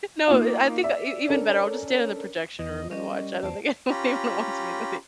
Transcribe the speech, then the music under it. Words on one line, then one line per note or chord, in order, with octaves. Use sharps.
No, i "I think e even better, I'll just stand in the projection room and watch," I don't think anyone even wants me in the
A#3 D#4 F4
D5 E5
C#4 D4 A4 A#4
E2 D#5
G3 C#4 A#4 D#5
E2 C5 D5 A5
C#4 F4 G4 A#5 B5